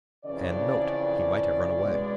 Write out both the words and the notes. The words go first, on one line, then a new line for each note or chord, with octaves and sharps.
And, note, he might have run away.
F2 C#3 E3 D5
B2 G#3 B3